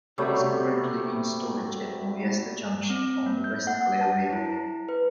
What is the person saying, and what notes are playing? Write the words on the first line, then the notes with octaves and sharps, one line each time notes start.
It is currently in storage at Moyasta Junction on the West Clare Railway.
C3 F#3 G3 A3
C4
A#3
G6
F#5
A5
E4
B4